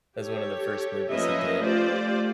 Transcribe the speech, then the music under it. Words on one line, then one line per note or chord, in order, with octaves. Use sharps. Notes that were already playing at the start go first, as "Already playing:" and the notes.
was one of the first movies he did
G4 A4 C#5
F3 A#3 C#4 B4 D#5 E5
A3 F4 G4 C5 D5